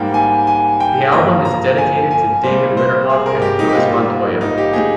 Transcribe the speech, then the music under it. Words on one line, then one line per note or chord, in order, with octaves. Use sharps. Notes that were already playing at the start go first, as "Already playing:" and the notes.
The album is dedicated to David Ridderhof and Louis Montoya.
Already playing: G#2 G3 A#3 G5
G#5
G#5
G5
G2 F3 A#3 A#5
A#5
G#5
G#5
C3 G3 A#3 C5
C5
G#4
A#4
G4
D#4
G4
G#2 G3 A#3 F4
F4
D#4
G4
G#4